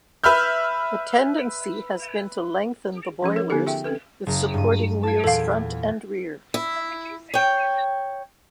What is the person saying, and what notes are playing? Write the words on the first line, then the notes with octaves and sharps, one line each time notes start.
The tendency had been to lengthen the boilers with supporting wheels front and rear.
B4 E5 B5 F6 G6
F3 C#4 G#4
A#4 C#5
D3 B3 D#4 G4 A4
F4 G#4 E5 G5
C4 C#4 A4 B4
F#1 A#5
G2 D#7
A5 G#6
E2 A#2 A4 F5
E4
C#5 G5